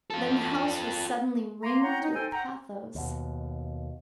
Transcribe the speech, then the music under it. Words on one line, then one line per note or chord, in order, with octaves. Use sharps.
Then the house was suddenly ringed with pathos.
F4 A4
A#3 A#5 C6
E4 C#5 F#5 G5 A#5
D#4
D#4 A4 C5 G5 G#5
F#5 G5 A#5
D#2 B2